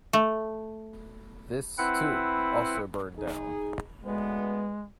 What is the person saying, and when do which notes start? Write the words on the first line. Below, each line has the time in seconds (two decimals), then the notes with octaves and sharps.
This, too, also burned down.
0.13 A3
1.78 C4 E4 B4 F#5
3.18 D#4 G#4
4.04 D2 G#3 B3 B4